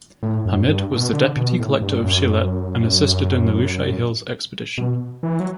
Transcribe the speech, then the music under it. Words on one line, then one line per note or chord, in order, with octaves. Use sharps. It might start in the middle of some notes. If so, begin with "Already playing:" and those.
Hamid was the Deputy Collector of Sylhet and assisted in the Lushai Hills expedition.
A2
F#2
G2
B2
D3
B2
A2
G2
F#2
B2
E3
F#3